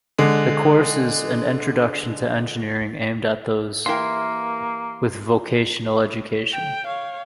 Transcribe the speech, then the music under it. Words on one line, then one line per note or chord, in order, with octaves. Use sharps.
The course is an introduction to engineering aimed at those with vocational education.
D3 G#3
E3 A#3 E4 G4 A#4 E5 F5 C6
G5
C#5 F5